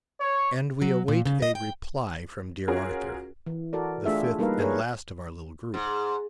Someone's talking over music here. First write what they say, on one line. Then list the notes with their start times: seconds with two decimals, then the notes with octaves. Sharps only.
And we await a reply from "Dear Arthur"--the fifth and last of our little group.
0.21 C#5
0.82 F#3
1.08 A#2
1.25 C#3
1.42 D#5
1.55 G5
2.68 C#4 F4 F#4 G#4 A#4
3.46 E3
3.73 F#4 A4 A#4 D5
4.05 A3 D4 F4 G#4 E5
4.39 G3 A#3 D#4 A#4 B4 F5
4.59 G#4 A#4 B4 C#5
5.74 G#2